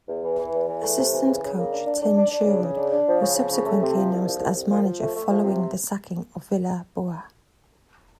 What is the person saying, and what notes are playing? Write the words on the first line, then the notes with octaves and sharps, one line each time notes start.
Assistant coach Tim Sherwood was subsequently announced as manager following the sacking of Villas-Boas.
E2
E3
E3
E2
E3
A3
C3
E3
C#3
C#3
A#3
D4
D4
D4
D4
D4
C#3
C#3
D4
D4
F3
C#3
F3
C#3
A3
C3
F3
C2
F3
C2
C2
F3
F3
A3
A3
F3
C3